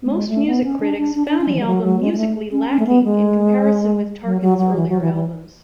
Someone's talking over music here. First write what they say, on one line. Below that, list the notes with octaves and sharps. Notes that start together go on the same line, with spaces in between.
Most music critics found the album musically lacking in comparison with Tarkan's earlier albums.
A3
G#3
A3
B3
C#4
D4
D4
D4
D4
C#4
F#3
E3
G#3
F#3
F#3
G#3
G#3
A3
C#4
C#4
A3
B3
G#3
F#3
F#3
F#3
E3
F#3
E3
E3